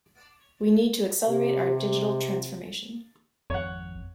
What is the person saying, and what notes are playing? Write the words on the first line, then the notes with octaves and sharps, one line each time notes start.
We need to accelerate our digital transformation.
C3 G4
G#1 F2 C#5 F#5